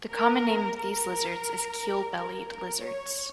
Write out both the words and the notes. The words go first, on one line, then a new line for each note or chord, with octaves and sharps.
The common name of these lizards is Keel-bellied Lizards.
A#4
A#4
A#4
A#4
C#5